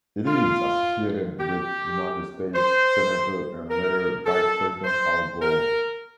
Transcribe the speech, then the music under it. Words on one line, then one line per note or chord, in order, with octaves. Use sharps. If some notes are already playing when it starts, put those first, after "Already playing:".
It is associated with United States Senator and later Vice-President Al Gore.
F4
G4
C5
A#4
A4
C5
A#4